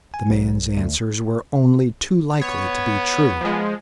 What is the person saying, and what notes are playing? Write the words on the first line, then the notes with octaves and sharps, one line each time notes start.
The man's answers were only too likely to be true.
G#5
B1
D2
B3 C#5
F3 G#3